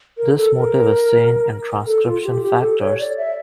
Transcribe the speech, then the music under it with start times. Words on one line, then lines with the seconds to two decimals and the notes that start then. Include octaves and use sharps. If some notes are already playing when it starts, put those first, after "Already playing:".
This motif is seen in transcription factors.
0.18 A#4
0.37 A4
0.56 A#4
1.87 A4
2.05 F4
2.24 G4
2.42 G4
2.61 A4
2.80 C#5
2.99 D5
3.17 E5